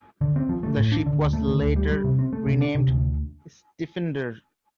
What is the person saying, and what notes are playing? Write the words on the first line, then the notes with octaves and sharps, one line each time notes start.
The ship was later renamed Stifinder.
D3
C4
F3
A3
A2
D4
D3
D2
A3
D3
D2
G3
G3
C3
C4
A3
C3
D4
C3
D2